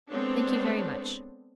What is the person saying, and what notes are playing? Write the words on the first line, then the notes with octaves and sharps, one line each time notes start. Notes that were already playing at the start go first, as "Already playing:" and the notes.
'Thank you very much.'
G#3 B3 C4 D4 A4 C#5